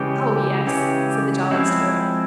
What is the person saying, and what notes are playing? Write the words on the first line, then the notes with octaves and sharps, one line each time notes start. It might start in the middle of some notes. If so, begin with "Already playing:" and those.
"Oh, yes," said the jolliest boy.
Already playing: C#3 E3 G#3 C#4 G4
C#3 E3 G#3 C#4 G4
F3 G#3 C4 E4